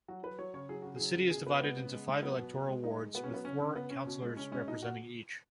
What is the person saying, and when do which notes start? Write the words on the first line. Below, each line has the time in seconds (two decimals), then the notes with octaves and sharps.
The city is divided into five electoral wards, with four councillors representing each.
0.08 F#3 F#4
0.23 F#3 B4
0.39 F#3 C#5
0.54 C#3 C#5
0.69 F#3 G#4
0.82 C#3 F#4
0.96 F#3 G#4
1.15 C#3
1.30 B2 G#4
1.46 B2 B4
1.61 G#3 B3
1.77 C#3
1.92 G#3
2.07 G#3
2.22 F#3 B3
2.38 B2
2.53 B2
2.68 G#3
2.83 G#3 D#4
2.99 G#3
3.14 B2 B3
3.24 C#4
3.29 F#3 B3
3.45 C#3 C#4
3.60 C#3 C#4
3.76 C#3 B3
3.90 C#3 C#4
4.06 B2
4.22 G#3
4.36 C#3 C#4
4.52 G#3 C#4
4.67 B2 D#4
4.82 B2 F#4